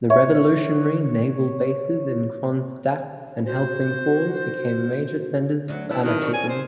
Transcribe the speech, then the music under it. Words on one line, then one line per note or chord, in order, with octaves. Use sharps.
The revolutionary naval bases in Kronstadt and Helsingfors became major centers of anarchism.
C#5 E5
F#4 C5
D2 F#3
F3 B3 D4 E4
D#3 F#3 E4 B4
G3 C4 C#5
G#5
C5